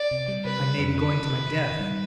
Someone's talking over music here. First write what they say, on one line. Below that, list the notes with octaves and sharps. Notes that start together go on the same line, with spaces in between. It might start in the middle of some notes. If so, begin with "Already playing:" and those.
I may be going to my death!
Already playing: D5
C3
G3
C3 B4
G3
F2
D#3 B4
D#3
C3
D#3
D#3
G3